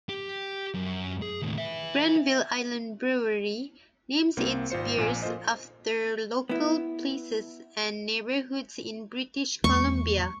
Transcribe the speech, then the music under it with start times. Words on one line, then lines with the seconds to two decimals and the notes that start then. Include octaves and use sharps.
Granville Island Brewery names its beers after local places and neighbourhoods in British Columbia.
0.09 G4
0.74 F#2
1.22 G#4
1.42 D#2 A2
1.58 B4 E5
4.37 C2 A#3 C4
4.70 G#1 F4 C5 C#7
4.97 A#1 A#2 A#4 G#5
5.22 A#3 F4 A4 C5 D#5
6.49 B3 E4
9.64 E2 G#3 A#3 C#6